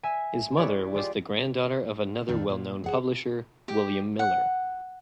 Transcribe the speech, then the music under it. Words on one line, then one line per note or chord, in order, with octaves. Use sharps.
His mother was the granddaughter of another well-known publisher, William Miller.
E5 G#5
E4 G4 B4 C#5 D5
G#3 F4 G4 D5
F2 D#3 D4
A#2
G#4 F#5
G4
F#5